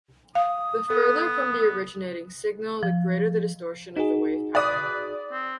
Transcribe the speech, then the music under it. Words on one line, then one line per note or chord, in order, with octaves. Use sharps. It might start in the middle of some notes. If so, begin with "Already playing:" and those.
The further from the originating signal, the greater the distortion of the wave pattern.
F5 D#6
B3 A4
F3
D#4 F#4 G#4
B4 D5 D#6
C4